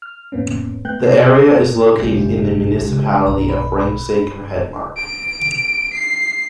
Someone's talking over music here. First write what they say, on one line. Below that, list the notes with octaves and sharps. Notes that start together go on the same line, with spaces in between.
The area is located in the municipality of Ringsaker, Hedmark.
F6
F2 A2 A#3 B3 C#4
A3 B3 G5 F#6 G6
C3 G#4 C7
F#1 B1 G#3 G4
C#3 F4
B1 D#3 A#5
B5
D7
C7